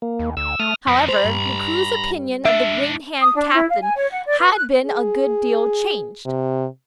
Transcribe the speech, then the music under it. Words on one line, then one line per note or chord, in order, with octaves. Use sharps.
However, the crew's opinion of the green-hand captain had been a good deal changed.
A#3
D#2
D2 E6
A3 D#6 F6
F2
C5 A#5 B5
G2
G#3 D4 E5
D#6
D4
E4
F5
G#5
C#5
F#5
D5
B4
F#6
G#4
C3